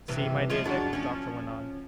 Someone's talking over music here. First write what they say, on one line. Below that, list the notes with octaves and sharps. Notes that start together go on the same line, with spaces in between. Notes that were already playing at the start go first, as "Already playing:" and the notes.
"See, my dear Dick!" the doctor went on.
G2 C3 E3
F3 G#3 F4
F#2 D4 F#4
F3 C#4